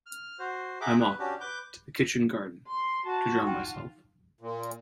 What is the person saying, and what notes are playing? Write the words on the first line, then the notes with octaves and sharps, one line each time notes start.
I'm off. To the kitchen garden. To drown myself.
F6
F#4 C5
G#4 E5 F#5 G5 A#5 D6
B4
C#4 D4 F#4 G4
B4 D6 G6
C6
F#4 A5
D#4 F4 G5
A#2